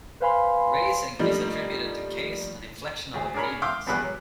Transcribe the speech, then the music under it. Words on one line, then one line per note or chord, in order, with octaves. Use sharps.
Raising is attributed to Case and Inflectional Agreement.
B4 C5 F5 G#5 B5 C6
F3 G3 A3 A#3 D4 D#4
D2 G#4
D4 G#4 A#4 C#5 B5
E5 F5 G5 C6 D6 D#6
A#1 G2 B3 G#4 D5 F#6
F#3